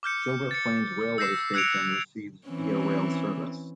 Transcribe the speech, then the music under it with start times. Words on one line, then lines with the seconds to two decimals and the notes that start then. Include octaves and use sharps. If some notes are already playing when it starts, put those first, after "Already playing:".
Gilbert Plains railway station receives Via Rail service.
0.03 D6 F6 G6 C#7
0.51 A6 C#7
1.18 E6 G6 A#6 C7 E7
1.54 E6 F#6 G#6 C#7 D7 F7
2.48 E3 C4 C#4